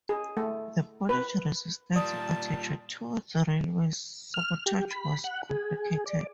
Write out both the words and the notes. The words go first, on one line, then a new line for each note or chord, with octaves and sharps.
The Polish resistance attitude towards railway sabotage was complicated.
G#4
A3
B4
A#2 G3 D5 A5 D#6
F6
G4
B5
F#5
G#4
D5